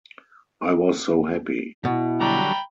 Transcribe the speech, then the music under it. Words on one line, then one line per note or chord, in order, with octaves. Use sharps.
I was so happy.
B2 E4
D3 F#3 G3 G5 A#5 B5